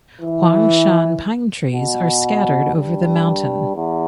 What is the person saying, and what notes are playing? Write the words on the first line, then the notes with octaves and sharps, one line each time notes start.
Huangshan pine trees are scattered over the mountain.
E3
B2
G2
E2